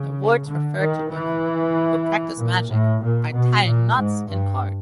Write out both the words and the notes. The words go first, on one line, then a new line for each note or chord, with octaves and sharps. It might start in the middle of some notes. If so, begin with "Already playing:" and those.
The words refer to women who practice magic by tying knots in cords.
Already playing: C#3
D3
D#3
E3
A#2
A2
A#2
B2
A#2
G#2
G2